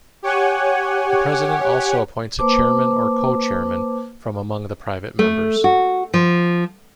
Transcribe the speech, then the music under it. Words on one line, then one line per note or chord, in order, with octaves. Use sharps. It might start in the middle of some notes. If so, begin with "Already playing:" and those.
The President also appoints a chairman or co-chairmen from among the private members.
G4 C#5 F#5 G#5
A#3 B4 C5 A5 D6
A3
F#4
F3